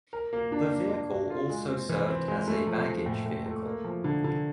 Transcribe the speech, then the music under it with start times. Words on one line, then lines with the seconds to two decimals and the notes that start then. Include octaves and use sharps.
The vehicle also served as a baggage vehicle.
0.13 A#4
0.33 A#3
0.52 D4
0.71 A#3
0.92 D4
1.10 F#4
1.30 F4
1.50 G#3
1.69 C4
1.89 E3
2.09 C4
2.28 G#3
2.47 A3
2.67 F3
2.87 F3
3.06 A2
3.26 A2
3.46 A3
3.65 A#3
3.85 F3
4.04 D3
4.24 D3